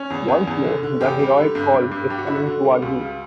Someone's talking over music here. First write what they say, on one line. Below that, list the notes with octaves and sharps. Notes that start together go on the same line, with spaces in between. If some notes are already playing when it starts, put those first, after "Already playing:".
Once more the heroic call is coming to our youth.
Already playing: C#4
E2
E2
E2
D3
D3
E2 G4
G3
D3
G2
G2
G2
G2 G4
F#4
D3 E4
F#4
D3
G3
C#2
C#3